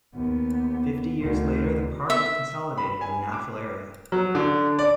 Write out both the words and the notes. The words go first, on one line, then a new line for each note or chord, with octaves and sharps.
Fifty years later the park was consolidated as a natural area.
D#2 B3
D2 D#3
E5
B5
G#5
D6
F#3
D3
D5